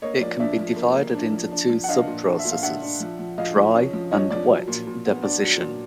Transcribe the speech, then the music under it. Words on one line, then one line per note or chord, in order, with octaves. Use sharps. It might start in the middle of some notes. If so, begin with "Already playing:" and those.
It can be divided into two sub-processes: "dry" and "wet" deposition.
A#3 C#5 D#5
F3 D5
D4 D5 E5
F3
A#3
A#3
D4
F3
D4
F3
F#5
D4 D#5 F5
A#2
D4
E5
A#2
F5
D4 E5 F#5
D4
F3
F3
F3 D#5 F5
F3
C#4
F3
F3 C#5 D#5
F3 D5
F#3
A#2
A#2
B3
D4 D5
F#3
A#2